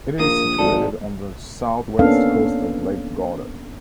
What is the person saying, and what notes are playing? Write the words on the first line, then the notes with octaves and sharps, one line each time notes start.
It is situated on the southwest coast of Lake Garda.
A#1 A#3 D#6
G#1 F#4 A4 D5
A#3 B3 C#4 D4 A4 F5